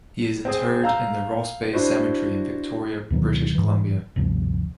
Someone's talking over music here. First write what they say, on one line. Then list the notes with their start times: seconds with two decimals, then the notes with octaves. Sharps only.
He is interred in the Ross Bay Cemetery in Victoria, British Columbia.
0.45 C4 G#4
0.84 F5 A#5 E6 G6
1.73 D4 E4 F#4 C5
3.10 D2 B2 D#3 F#3
3.55 G#2 E3
4.16 G1 D2 C3 F3